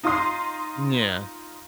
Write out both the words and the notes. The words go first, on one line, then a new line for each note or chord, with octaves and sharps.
Mm, yeah.
D#4 F4 D#5 C6 D#6 C7